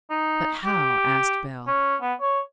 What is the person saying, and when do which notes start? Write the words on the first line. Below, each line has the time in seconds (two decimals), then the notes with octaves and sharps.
"But how?" asked Bell.
0.10 D#4
0.65 G4
1.67 C#4
2.02 B3
2.21 C#5